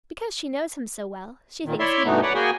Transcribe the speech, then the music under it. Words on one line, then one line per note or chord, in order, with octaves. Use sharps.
"Because she knows him so well, she thinks we do."
A#2 D#3
E4 C#5 D5 E5 C6
G2 B2 E3 A3 B3 D#4
B4 C#5 D5 F#5
A#3 F#4 G#4 G5 G#5